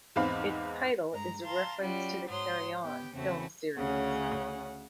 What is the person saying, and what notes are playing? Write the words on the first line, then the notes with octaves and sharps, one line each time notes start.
Its title is a reference to the "Carry On" film series.
E2 G#2 C4 F5 B5
G2 G#3 A#5
F5 A5 A#5 C6
F#3 G3 C#4 F4 F#4
G#2 F#3 C5 C6 D#6 F6
B3 G4 G5
E2 C#3 A3 C4 F#4
D2 C#3 C#4 F#5